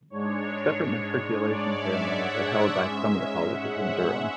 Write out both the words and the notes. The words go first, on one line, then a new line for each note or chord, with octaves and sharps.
Separate matriculation ceremonies are held by some of the colleges in Durham.
G#2 G#3 D4 C#5
D5
E5
F#5
E5
G#2 G#3 C#4 E5
F#5
E5